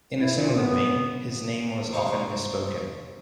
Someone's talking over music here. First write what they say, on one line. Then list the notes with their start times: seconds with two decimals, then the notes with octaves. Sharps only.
In a similar vein, his name was often misspoken.
0.20 E4
0.35 A#2
0.56 B3
1.92 C2 A#2 D#4 C5 C#6